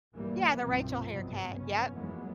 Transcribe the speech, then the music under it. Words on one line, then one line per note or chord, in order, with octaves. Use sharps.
Yeah. The Rachel haircut. Yep.
A#1 G2 E3 G3 A#3
C2 G2 B2 F3 C4
G#1 G2 C3 F#3 G#3 B3
F1 C#3 B3 C#4
F2 E3 F#3 G#3 A#3 B3